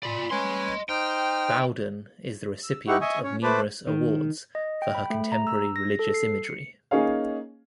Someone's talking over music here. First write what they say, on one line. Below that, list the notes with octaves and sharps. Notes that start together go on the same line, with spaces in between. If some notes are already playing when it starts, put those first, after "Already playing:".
Bowden is the recipient of numerous awards for her contemporary religious imagery.
F4 D5 B5
C#4 B4 D#5 G#5 C6
D#4 C5 G5 F6
E6
D#4 E4 G4 F#5 C#6
D#5 E5 G#5 C#6 D#6
C#4 C#5
A3 B4 C5 A5 B5 D6
D#3
D#5
G5
B5
A3
A#5
E6
A#6
A4
C7
C#7
A#3 C#4 D#4 G#4 C#5 F5